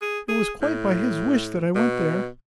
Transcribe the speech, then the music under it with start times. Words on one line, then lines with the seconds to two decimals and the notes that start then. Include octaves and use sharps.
It was quite by his wish that I went there.
0.02 G#4
0.29 G#4
0.62 A2
1.75 B2